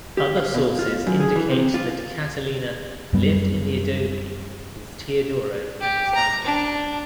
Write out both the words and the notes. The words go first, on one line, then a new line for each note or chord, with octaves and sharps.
Other sources indicate that Catalina lived in the adobe with Teodoro and his family.
G4
F5
B2
F4
F#2
G#4
E3
C3
F4
F#2 G3 B3
G4
A#5
D4